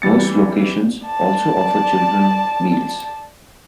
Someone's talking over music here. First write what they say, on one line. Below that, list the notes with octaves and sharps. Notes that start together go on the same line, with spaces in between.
Most locations also offer children meals.
E3 G3 A6 C#7
D5 A5